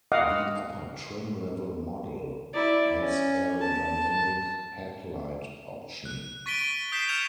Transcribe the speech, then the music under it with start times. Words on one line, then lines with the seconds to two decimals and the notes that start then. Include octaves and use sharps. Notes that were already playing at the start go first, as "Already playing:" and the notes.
The upper trim level model has aerodynamic headlight option.
0.12 D#5 F5 F#5 D6 D#6
2.53 E4 D5
2.98 C#4
3.61 A5
6.05 F#6
6.46 C#6 A6 B6 D7 D#7 G7
6.92 D#6 G6 B6 C7 E7
7.09 F6 G6 G#6 C#7 E7 F7